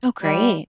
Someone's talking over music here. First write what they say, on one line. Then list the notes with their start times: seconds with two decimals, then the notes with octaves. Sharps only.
Oh, great.
0.23 G3